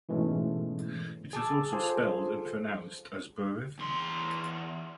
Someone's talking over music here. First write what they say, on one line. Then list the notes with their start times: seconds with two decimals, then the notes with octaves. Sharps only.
It is also spelled and pronounced as "Borivli".
0.09 G#2 B2 E3 G#3 A3 C#4
1.33 G#4 A5 D6 E6
1.72 F4 G#4 A4 C5
3.79 E2 C6